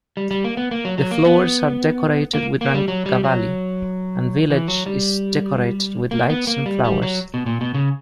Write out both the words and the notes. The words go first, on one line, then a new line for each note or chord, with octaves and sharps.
The floors are decorated with rangavalli and village is decorated with lights and flowers.
G3
G3
A#3
B3
A#3
F#3
F#3
A#3
B3
A#3
A#3
G3
F#3
G3
F#3
E3
F#3
G3
A#3
B3
A#3
G3
G3
F#3
B2
A#2
B2
C#3